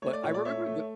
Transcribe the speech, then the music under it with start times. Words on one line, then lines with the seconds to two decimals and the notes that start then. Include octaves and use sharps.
But I remember the
0.02 A3 C#5
0.13 D5
0.23 A#2 C#5
0.34 D5
0.45 A3 C#5 E5
0.66 A3